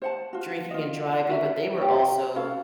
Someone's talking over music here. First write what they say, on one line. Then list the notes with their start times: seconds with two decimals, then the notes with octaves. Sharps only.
drinking and driving, but they were also,
0.02 C5 F#5 A5
0.33 F4 F#4
0.71 F4 D#5
1.29 F#4 A#4 E5
1.78 G4 C#5
2.36 C#4 F#4 A4 F5